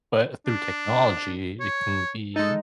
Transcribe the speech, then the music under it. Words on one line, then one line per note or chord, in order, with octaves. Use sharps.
but through technology, it can be
D4
C#5
G#3 D#4 A4